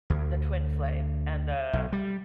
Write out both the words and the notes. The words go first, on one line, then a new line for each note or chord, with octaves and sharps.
the twin flame, and the
D2
B1
G3